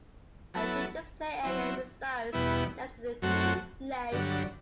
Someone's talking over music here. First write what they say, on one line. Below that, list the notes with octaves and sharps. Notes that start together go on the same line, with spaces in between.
A children's play area resides next to the two lakes.
F#3 B3 E4 A4
F#3 C4 E4
E2 B2 G3 B3 E4
F#2 F#3 A3 C4 F#4
G2 D3 F#3